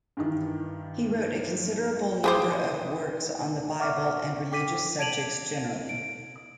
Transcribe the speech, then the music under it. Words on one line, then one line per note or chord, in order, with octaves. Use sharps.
He wrote a considerable number of works on the Bible and religious subjects generally.
G2 D#3 E3
G#4 B4 C5 G5 D6 D#6
E5 F#5 C#6 D6 F6
G5 D6 B6 D#7
A5 G#6 D7 D#7 F7 F#7
D7